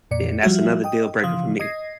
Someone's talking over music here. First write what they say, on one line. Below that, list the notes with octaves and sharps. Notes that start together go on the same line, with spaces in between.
then that's another deal breaker for me.
F2 A#2 D5 C#7
F3 G3 F4 F#4 E5
D#5 G5 D#6
C#3 E3 F3 F5 C6 D#6
D#5 D#6 G#6 A#6 C7